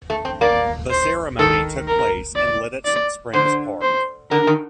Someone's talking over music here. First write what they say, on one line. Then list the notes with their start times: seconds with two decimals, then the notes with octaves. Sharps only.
The ceremony took place in Lititz Springs Park.
0.10 A3
0.25 C4
0.41 A#3 D5
0.91 C5
1.39 D#3 A4
1.88 A#4
2.36 D5
2.85 D5
3.33 D3 C5
3.82 C5
4.31 D3 A#4
4.47 D#3